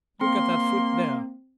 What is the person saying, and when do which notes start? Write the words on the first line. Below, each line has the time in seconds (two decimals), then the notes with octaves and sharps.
Look at that foot there.
0.21 A#3 C4 C6